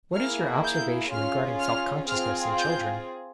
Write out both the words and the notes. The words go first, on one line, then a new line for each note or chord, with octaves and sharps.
What is your observation regarding self-consciousness in children?
A#3 E4 G#4 F6
G6
C#4 F4 G#4 F6
F6
C4 F4 G#4 F6
G6